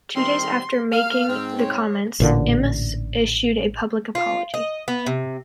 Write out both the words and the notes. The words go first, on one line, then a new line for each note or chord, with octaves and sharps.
Two days after making the comments, Imus issued a public apology.
D#3 G3 C4 C6
A#3 F5 F6
G#2 C4
C#5
A1 A#2 D3
F4
D#5
B3
C3